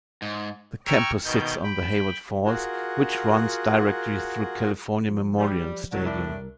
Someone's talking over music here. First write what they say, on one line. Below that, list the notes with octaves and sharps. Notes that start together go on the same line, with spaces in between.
The campus sits on the Hayward Fault, which runs directly through California Memorial Stadium.
G#2
G5 A#5 C#6 E6 F6 G#6
B2 D#3 G6
G5 B5
F4 F#4 G#4 A#4 F#5
F3
G3
C2 D3 F#3 A#4
A2 A3 D4